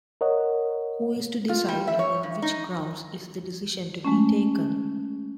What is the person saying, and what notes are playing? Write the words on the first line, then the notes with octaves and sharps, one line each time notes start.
Who is to decide, and on which grounds is the decision to be taken?
A#4 C#5 D#5 F#5
F4
G3
E5
C#5
G2
D#4
G#3 A3 C#4